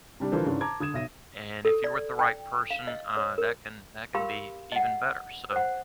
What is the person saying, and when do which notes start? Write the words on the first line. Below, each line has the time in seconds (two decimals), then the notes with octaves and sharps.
and if you're with the right person, uh, that can that can be even better, so,
0.20 C3 G3 D4
0.32 D3 E3 F3 A4 A#4 C5
0.46 G#2 C#3 E3 C#4 D4
0.61 A5 A#5 D6 G#6
0.80 D3 D#6 G#6 E7
0.94 B1 E5 A#6 D#7
1.65 A4
1.84 D5
2.19 G5
2.71 F5
2.87 D#5
3.17 C#5
3.38 A#4
4.15 G4 A#4 F5 B5 C6 E6
4.72 D#5 F#5
5.52 C5 F#5